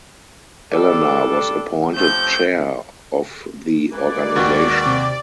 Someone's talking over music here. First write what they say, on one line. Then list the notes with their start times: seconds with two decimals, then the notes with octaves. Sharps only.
Elena was appointed chair of the organisation.
0.72 G3 D4 A4
1.95 C3 F3 A3 G6
3.91 E3 G#3 A#3 D5
4.35 D#2 F#4 C#6
4.86 C3